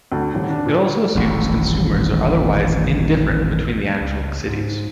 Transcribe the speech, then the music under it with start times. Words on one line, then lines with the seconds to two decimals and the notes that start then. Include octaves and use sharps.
It also assumes consumers are otherwise indifferent between the actual cities.
0.12 D2
0.35 D#1
0.49 D4
0.66 A#2
1.15 D#1 A1 F2
4.01 C#2
4.48 G#2